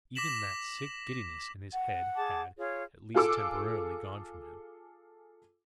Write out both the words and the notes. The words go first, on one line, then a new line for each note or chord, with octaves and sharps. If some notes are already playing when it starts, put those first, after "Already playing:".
Even that sick giddiness in his head had, at least temporarily, gone from him.
D6 A#6 B6 E7 F#7
F#5
G#4 A5 D6
F4 G#4 C#5
F4 G#4 A4 D6 E6